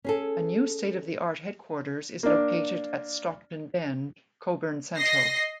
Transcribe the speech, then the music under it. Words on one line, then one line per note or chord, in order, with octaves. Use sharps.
A new state of the art headquarters is located at Stockton Bend, Cockburn Central.
C#4 G#4 A4
A#3 D4
D#5 A#6 C7